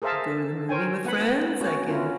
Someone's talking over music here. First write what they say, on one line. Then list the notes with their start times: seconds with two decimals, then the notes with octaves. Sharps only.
go to the movie with friends, I can
0.02 G#4 A#4 C5 E5 F5 A5
0.69 A#4 C5 C#5 G5 G#5
1.05 B3 F#5 B5
1.60 B3 C#4 F#4
1.88 B3 C#4 E4 F4 A#4